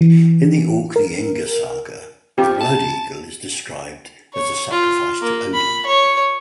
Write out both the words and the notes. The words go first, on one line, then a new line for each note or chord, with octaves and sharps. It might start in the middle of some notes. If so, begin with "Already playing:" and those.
In the Orkneyinga saga, the blood eagle is described as a sacrifice to Odin.
E3
A#4
F3 C4 G4
A5
C#5
F4
A#3
B5
C#5